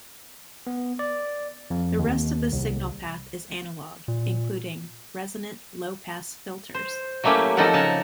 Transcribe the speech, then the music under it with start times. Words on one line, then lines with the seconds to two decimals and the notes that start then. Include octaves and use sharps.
The rest of the signal path is analog, including resonant low-pass filters.
0.67 B3
0.99 D5
1.70 F2
1.99 D#2
2.52 C2
4.08 A#2
6.74 C5
7.24 F#3 A3 A#3 C#4 E4 G4
7.57 F3 C4 D#4 A4 A#4 F#5
7.74 C#3 A#4 A5